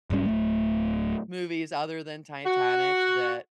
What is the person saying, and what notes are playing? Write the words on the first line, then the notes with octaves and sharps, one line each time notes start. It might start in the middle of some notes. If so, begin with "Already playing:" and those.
movies other than Titanic that
E1 G#2 G3 C#4
D1 A3
F#4